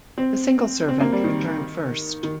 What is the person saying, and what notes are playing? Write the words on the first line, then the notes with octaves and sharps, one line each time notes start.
The single servant returned first.
C4
C4
A#3
G3
D#3
D#3